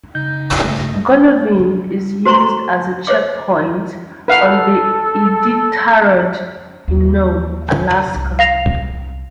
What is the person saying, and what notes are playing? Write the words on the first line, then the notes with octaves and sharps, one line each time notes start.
Golovin is used as a checkpoint on the Iditarod in Nome, Alaska.
C#3 D#4 G6
G2 A3 D#5
F#4 C5 A#5 C6 C#6
C5 C#5 D#5 D6
A4 B4 F5 F#5
D#2
C2 C#4
F5 A#6 F7